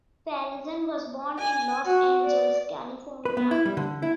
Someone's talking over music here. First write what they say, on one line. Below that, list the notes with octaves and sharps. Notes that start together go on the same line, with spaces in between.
Frazen was born in Los Angeles, California.
G#5
F#4
D5
B4
B3
E4
G3
D3
E4